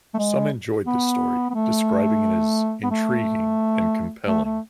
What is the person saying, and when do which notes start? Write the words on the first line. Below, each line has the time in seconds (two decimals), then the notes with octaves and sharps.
Some enjoyed the story, describing it as "intriguing" and "compelling".
0.14 A3
0.18 G#3
0.87 B3
1.50 B3
1.54 A3
2.83 B3
2.91 A3
4.27 A3
4.44 A3